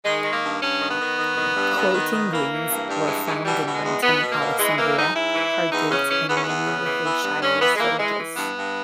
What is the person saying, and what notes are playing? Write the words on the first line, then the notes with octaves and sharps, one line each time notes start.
Quoiting greens were found in Renton, Alexandria, Hardgate and many Ayrshire villages.
D#3 G#3
D#3
A#3
G2
G2 C#4
D#3
B3
D#3
D#3
D#3
G2
G2
D#3
D#3
E3 A#3
E3
G2
G2 G3
E3 G#3
E3 G#3
B2 G3
B2
G#3
E2
E2 B3
B2
B3
A#3
B2
E3 G#3
E3 A#3
G#2 D#4
G#2 E4
E3
E3
E2 D#4
C#3 C#4
E3 C#4
E2 B3
C#4
E2 B3
C#3
E3
E3
G2
G2 C#4
E3 B3
G#3
E3 A#3
E3 G#3
E3
G2 B3
G2